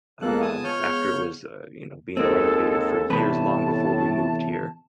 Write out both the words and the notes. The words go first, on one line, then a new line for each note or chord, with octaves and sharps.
uh, after it was, uh, you know, being renovated for years long before we moved here,
F3 G#3 A#3 B3 A4 F#6
G#5 A5 D#6
C#5 F6 G6
D#2 G#3 C4 A4
E2 A2 C3 B4 A5